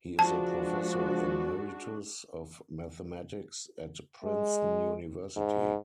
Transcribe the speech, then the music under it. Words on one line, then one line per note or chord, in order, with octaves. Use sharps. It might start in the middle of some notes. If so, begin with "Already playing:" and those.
He is a professor emeritus of Mathematics at Princeton University.
F3 G#3 D4 F#4 A5
G#3
G#2